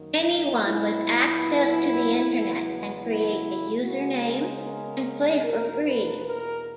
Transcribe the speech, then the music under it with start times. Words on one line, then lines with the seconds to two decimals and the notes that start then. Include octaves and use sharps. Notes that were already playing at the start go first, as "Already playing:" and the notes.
Anyone with access to the Internet can create a username and play for free.
Already playing: F#2 D#3 A#3
0.21 D#4
0.61 A#2 F#3 B3 E4
2.22 E2 C#3 F#3 B3
3.03 E4
3.83 C#3 G#3 B3 F#4
4.24 A#4
4.64 A#4
5.44 E2 B2 A#3 A#4
5.85 B4
6.26 A#4